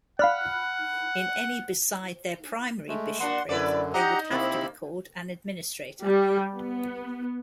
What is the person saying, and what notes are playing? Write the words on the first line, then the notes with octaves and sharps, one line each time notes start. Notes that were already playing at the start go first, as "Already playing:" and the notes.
In any beside their primary bishopric, they would have to be called an "administrator".
D5 F5 F#5 B5 F6 F#6
G#3 A3
A#3 D4 F#4 F#5 C6
F#2 D3 E4 B4 D5
D#4 G4 D#5 F#5 A#5
C3 A#3 C4 E4 B5
G3
B3